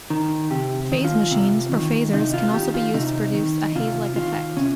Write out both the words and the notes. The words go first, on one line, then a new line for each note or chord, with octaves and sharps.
Faze machines, or fazers, can also be used to produce a haze-like effect.
D#3
C3 G4
D#3
F4
C3
D#3
C3 D#4
F4
D#3 G4
F4
C3 D#4
D#3
C3 F4
D#3 F4
C3 C#4